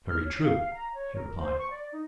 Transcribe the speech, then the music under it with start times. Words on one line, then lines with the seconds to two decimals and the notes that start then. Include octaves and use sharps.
"Very true," he replied.
0.08 F6
0.25 C#5
0.44 F5
0.58 F5
0.74 A#5
0.95 C#5
1.16 A#4
1.38 C5
1.59 C#6
1.71 D5
1.93 D#4